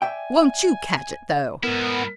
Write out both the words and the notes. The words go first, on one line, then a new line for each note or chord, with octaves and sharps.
"Won't you catch it though!"
D5 E5 G5 G#5
G#2 B3 E4 A#4